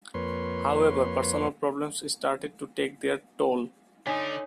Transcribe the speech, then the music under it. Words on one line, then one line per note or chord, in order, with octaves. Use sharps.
However, personal problems started to take their toll.
F2 A#3 B4 C#5 C6
D3 D#4 C#5 G#5 B6